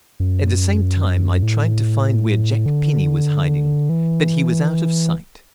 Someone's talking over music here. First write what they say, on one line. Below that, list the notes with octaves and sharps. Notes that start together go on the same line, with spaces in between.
At the same time I tried to find where Jack Penny was hiding, but he was out of sight.
F#2
A2
D3
E3